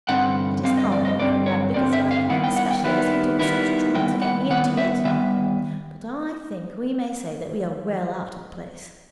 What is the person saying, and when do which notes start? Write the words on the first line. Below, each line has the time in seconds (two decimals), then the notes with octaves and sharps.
It is hard on Comrade Bickersdyke, especially as he took such trouble to get me into it, but I think we may say that we are well out of the place.'
0.09 G2 D3 G3 C4 F#5
0.64 G2 D3 G3 C4 F5
0.77 D#5
0.92 D5
1.05 D#5
1.19 G2 D3 G3 C4 D5
1.46 C#5
1.74 G2 D3 G3 C4 D5
1.93 E5
2.11 F5
2.29 D#3 G3 B3 E4 F#5
2.44 G5
2.56 F#5
2.71 G5
2.84 D#3 G3 B3 E4
3.39 D#3 G3 B3 E4
3.95 D#3 G3 B3 E4 G5
4.22 F#5
4.50 D#3 G3 B3 F#5
4.77 E5
5.04 D#3 G3 B3 E5